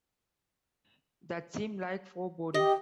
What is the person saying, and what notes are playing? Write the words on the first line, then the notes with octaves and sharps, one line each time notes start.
That seemed like foreboding.
G4 D#5